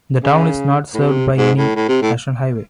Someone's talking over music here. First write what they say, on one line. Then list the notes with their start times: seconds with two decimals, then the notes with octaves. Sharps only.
The town is not served by any national highway.
0.23 C#3
0.94 A2
1.00 C3
1.38 G#2
1.58 A2
1.76 A2
1.88 C3
2.02 A2